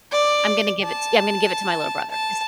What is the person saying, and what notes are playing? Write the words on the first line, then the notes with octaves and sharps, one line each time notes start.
I'm gonna give it t yeah, I'm gonna give it to my little brother. His
D5
A5
A5